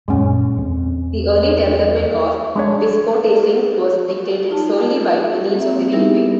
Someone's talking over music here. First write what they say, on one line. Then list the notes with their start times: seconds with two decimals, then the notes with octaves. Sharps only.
The early development of Biscotasing was dictated solely by the needs of the railway.
0.08 F#2 A#2 G#3 C#4
0.57 E2 C4
2.56 G#3 D4 C#5
4.50 D#4 F4 A5
5.41 G3
5.54 A#3 C4 E5
5.92 G3 B3 D#4 E4 G4 G#4